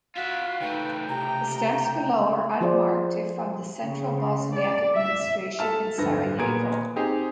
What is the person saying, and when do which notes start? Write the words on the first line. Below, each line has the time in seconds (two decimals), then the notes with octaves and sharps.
The stamps below are unmarked if from the central Bosniak administration in Sarajevo.
0.16 F4 F#4 E5 F5
0.61 C#3 A3 D#4 B4 G5
1.09 C3 G5 A#5
2.61 F3 F4 G#4 C5 D5
3.83 C#3
4.55 D5
4.96 E5
5.59 A4 E5 A5 F6
5.97 D1 G2 F3 A4 B4 A#6
6.38 A#2 B3 G#4 A#5 G#6 D7
6.96 C4 D#4 G4 G#4